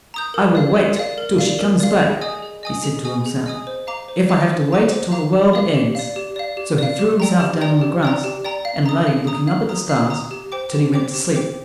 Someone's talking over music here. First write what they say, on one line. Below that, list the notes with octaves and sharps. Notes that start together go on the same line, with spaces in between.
"I will wait till she comes back," he said to himself, "if I have to wait till the world ends." So he threw himself down on the grass and lay looking up at the stars till he went to sleep.
A#5 D#6 G6
A#4
D5 F5
A#4
D5 F5
A#4
D5 F5
A#4
D5 F5
G#4
D#5 G#5 D#6
G#4
D#5 G#5 D#6
G#4
D#5 G#5 D#6
G#4
D#5 G#5 D#6
C5
F5 A#5 D6
C5
F5 A#5 D6
C5
F5 A#5 D6
C5
F5 A#5 D6
G4
D5 F5
G4
D5 F5
G4
D5 F5
G4
D5 F5
G4
D5 G5 A#5
G4
D5 G5 A#5
G4
D5 G5 A#5
G4
D5 G5 A#5
F5
A#5 D#6
F5
A#5 D#6
F5
A#5 D#6
F5
A#5 D#6
G4
C5 G5 D6
G4
C5 G5 D6
G4
C5 G5 D6